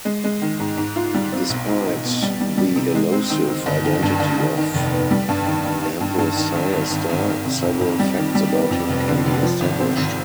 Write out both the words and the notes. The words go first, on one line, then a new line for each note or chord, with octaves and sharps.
Despite the elusive identity of Ambrosiaster, several facts about him can be established.
G#3
G#3
D#3
G#2
G#2
F4
G3
C4
B1
D#4
D#4
B2
G3
G3
G3
C3
G#3
C4
D#3
D#3
G1
D#3
G2
G1
D#3
D#3
F1
B3
G3
G2
D#3
D#3
D#3
G2
G2
D#3
G#1
G#1
G#1
G#1
D#3
C3
F2
F2
G3
D#3
G3
B3
F2
F1
D3
F1
F3
G#1
C4
G#1